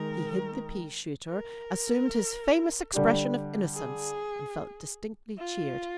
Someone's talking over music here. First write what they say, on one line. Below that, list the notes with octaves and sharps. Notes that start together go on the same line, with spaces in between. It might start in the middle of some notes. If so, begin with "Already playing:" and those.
He hid the pea-shooter, assumed his famous expression of innocence, and felt distinctly cheered.
Already playing: D#3 G#3 D#4 A#4
A#4
D3 G3 D4 G4
G#4
F4